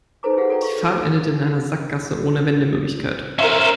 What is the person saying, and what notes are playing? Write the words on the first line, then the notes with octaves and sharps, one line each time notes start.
Die Fahrt endete in einer Sackgasse ohne Wendemöglichkeit.
D#4 A4 B4 C5 A#5 D6
E4 G4 G#4 C5 F5 F#5
F#4 A4 C#5 D5 G5 A#5
F5 C#6
E4 G4 D5 G5 D#6
C#4 A#4 C5 E5